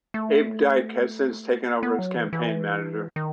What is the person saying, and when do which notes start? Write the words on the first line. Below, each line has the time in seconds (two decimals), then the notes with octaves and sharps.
Abe Dyk has since taken over as campaign manager.
0.14 A3
1.83 B3
1.99 F#3
2.16 E3
2.33 E3
3.16 D#3